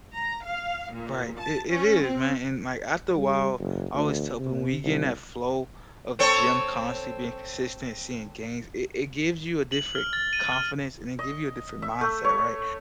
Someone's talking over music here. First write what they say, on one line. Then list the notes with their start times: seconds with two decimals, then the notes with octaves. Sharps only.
Right. It it is, man. And, like, after a while, I always tell people, when we get in that flow of the gym constantly being consistent, seeing gains, it it gives you a different confidence, and it give you a different mindset, right?
0.16 A#5
0.45 F5
0.93 A#2
1.40 A5
1.70 C#4
2.03 C4
3.16 G3
3.59 F#1
3.94 D2
4.39 C3
4.84 C2
6.19 C4 A4 C#5
9.72 F#7
9.95 F6
10.13 A6
10.33 D#7
10.52 F6
11.19 D#5
11.82 E5
12.01 A3
12.24 C#5